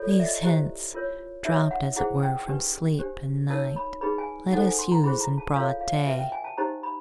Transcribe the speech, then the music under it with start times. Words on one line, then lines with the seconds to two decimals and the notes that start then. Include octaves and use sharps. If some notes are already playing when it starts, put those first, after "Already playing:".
These hints, dropped as it were from sleep and night, let us use in broad day.
Already playing: F4 A4 C#5
0.09 D5
0.20 E5
0.26 D#5
0.43 E4 G4 C5
0.94 F4 A#4 C#5
1.45 D#4 F#4 A#4 C#5 E5
1.71 F#5
1.96 E4 G#4 C5 F#5
2.22 G5
2.47 D4 G4 B4
2.99 D4 G4 C5
3.50 D#4 F#4 A#4 C#5 A5
3.76 B5
4.01 D#4 G#4 B4 B5
4.18 G#5
4.53 D#4 F#4 A4 C5 F#5
4.66 G#5
4.79 C6
4.92 A#5
5.03 E4 G#4 C5 B5
5.21 A#5
5.38 A5
5.55 F4 A4 C#5 F5
5.81 F5
6.06 F#4 B4 E5
6.19 G5
6.32 G#5
6.44 A5
6.58 D#4 G4 C5 A#5
6.83 B5